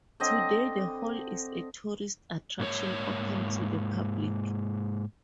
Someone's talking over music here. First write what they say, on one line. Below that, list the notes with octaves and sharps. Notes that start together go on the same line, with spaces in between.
Today the hall is a tourist attraction open to the public.
D3 C4 D#5
G#2 A#3 C#5